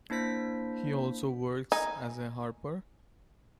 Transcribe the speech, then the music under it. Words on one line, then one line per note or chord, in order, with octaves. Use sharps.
He also works as a Harper.
A#3 D4 E4 C5 B6
D#4 G#5